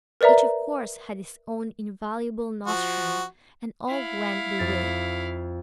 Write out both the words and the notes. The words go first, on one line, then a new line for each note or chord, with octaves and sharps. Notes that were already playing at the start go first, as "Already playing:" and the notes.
Each, of course, had his own invaluable nostrum; and all went their way.
A#4 B4 D5 E5 A#5
F3 F#4
E4 F5
F2 A6